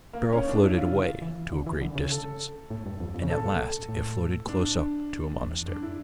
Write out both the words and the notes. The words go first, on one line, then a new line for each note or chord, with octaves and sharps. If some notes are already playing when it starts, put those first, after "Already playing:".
The barrel floated away to a great distance, and at last it floated close up to a monastery.
A#3
C#4
D4
E4
F4
C#3
E3
D3
E3
D3
C#3
A4
A2
G2
F2
F2
C#3
A#2 A4
A2
D4
E2
F2
G2 D4
E4